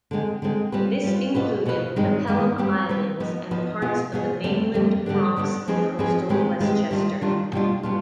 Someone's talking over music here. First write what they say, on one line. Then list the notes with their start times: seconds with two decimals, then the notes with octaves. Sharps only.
This included the Pelham Islands and parts of the mainland Bronx and coastal Westchester.
0.11 D3 G#3 C4
0.42 D3 G#3 C4
0.72 G3 C4 F4 B4
1.04 G3 C4 F4 B4
1.35 B2 B3 F4 B4
1.66 B2 B3 F4 B4
1.96 G2 D#3 G#3 C4 D#4
2.27 G2 D#3 G#3 C4 D#4
2.58 G3 C4 G4 B4
2.89 G3 C4 G4 B4
3.20 F3 B3 D#4 B4
3.51 F3 B3 D#4 B4
3.82 B2 B3 F4 G#4
4.13 B2 B3 F4 G#4
4.44 F2 D3 G3 C4
4.74 F2 D3 G3 C4
5.06 D3 G3 B3 D4
5.36 D3 G3 B3 D4
5.68 F3 C4 D#4 G#4 B4
5.99 F3 C4 D#4 G#4 B4
6.29 D#3 G#3 C4 G4 B4
6.61 D#3 G#3 C4 G4 B4
6.91 D#3 G3 D4 F4
7.21 D#3 G3 D4 F4
7.52 B2 G3 D4 F4
7.83 B2 G3 D4 F4